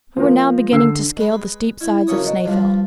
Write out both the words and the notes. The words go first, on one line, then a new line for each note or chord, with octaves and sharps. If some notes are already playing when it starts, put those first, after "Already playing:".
We were now beginning to scale the steep sides of Snaefell.
F3 A#3 A#4
D3 E6 C7
G#3 B4
E4
A#1 F#2 C#3 C#5 D#6
B2
G2 F3